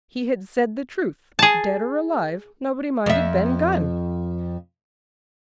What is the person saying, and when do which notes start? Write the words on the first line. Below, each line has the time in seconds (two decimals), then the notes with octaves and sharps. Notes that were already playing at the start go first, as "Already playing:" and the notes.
He had said the truth: dead or alive, nobody minded Ben Gunn.
1.39 G#4 A5
3.06 F2 E5